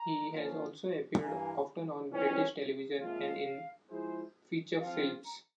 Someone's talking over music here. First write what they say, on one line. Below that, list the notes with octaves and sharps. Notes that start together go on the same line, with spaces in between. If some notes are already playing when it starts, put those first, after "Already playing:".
He has also appeared often on British television and in feature films.
Already playing: A#5
F3 A#3 C#4 F4
G2 E3 A#3 G#5
F2 C3 E3 G3 C#4 G5
A#2 F3 G#3 C4 F4 F5
E5
F5
F3 G#3 E4 G#4 C5
F3 C4 F4 F5
A#5